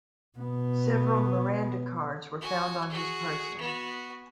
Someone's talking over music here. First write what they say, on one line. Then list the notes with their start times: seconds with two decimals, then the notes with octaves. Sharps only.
Several Miranda cards were found on his person.
0.38 B2 B3
2.41 F#4 G#5
2.89 F#4 G#4
3.59 B3 F#4